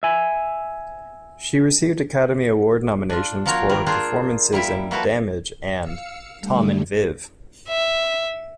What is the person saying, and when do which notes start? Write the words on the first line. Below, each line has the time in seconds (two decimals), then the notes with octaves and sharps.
She received Academy Award nominations for her performances in "Damage" and "Tom and Viv".
0.03 E5 G#5
3.10 D4 F4
3.46 F3 A#3 F4 F#4 A#4 C#5
3.69 D#3 G3 A#4
3.86 D4 F4 G#4 A#4 C5
4.52 G3 A#3 E4 E5
4.91 F3 A#3 E4 F#4 A4 B4
5.79 F5 E6 C#7
6.39 D3 G3 A3
7.68 E5